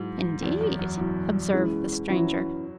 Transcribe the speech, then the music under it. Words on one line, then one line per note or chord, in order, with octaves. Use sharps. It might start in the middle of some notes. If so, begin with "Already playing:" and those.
"Indeed?" observed the Stranger.
Already playing: G#2 F#3 E4
E2 F#3 E4
F#2
F#2
B2 F#3 E4
E3 G#3 C#4 E4
E3 F#3 C#4 E4